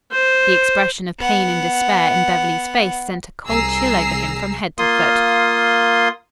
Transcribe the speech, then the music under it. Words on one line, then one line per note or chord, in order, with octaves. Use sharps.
The expression of pain and despair in Beverly's face sent a cold chill over him from head to foot.
C5
B3 F#5
C2 G#4 A#5 E6 A#6 C7
A#3 F4 C6 D#6